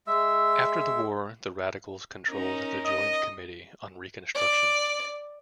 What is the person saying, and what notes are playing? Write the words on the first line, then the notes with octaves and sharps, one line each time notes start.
After the war the Radicals controlled the Joint Committee on Reconstruction.
G#3 E5 E6
C#4 D#4 A#4
D#5
D5